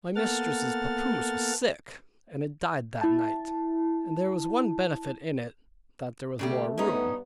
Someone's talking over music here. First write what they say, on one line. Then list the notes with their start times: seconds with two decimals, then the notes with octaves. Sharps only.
My mistress's papoose was sick, and it died that night, and there was one benefit in it--that there was more room.
0.16 A#3 B3 A4 F#5 F6 A6
3.01 E4 A5
6.39 C#3 G3 A3 G4
6.78 G2 B3 C#4 D#4 B4